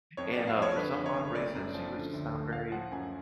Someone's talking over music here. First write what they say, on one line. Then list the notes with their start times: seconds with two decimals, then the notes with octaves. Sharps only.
and, uh, for some odd reason, she was just not very
0.17 F2 C#5
0.33 D5
0.37 F2
0.47 F5
0.57 F3
0.62 C#5
0.76 D3 B4
0.96 F2
1.06 C#5
1.16 F#1
1.35 A3 D5
1.55 F#2
1.74 F3
1.94 D3
2.13 D2
2.33 A3
2.52 A3 F5
2.72 F3 F#5
2.92 F#2 G#5